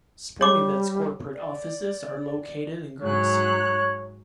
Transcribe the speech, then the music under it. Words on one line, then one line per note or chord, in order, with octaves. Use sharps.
Sportingbet's corporate offices are located in Guernsey.
G3 C#5 D6
D5
G#2 F#3 C#5 F#6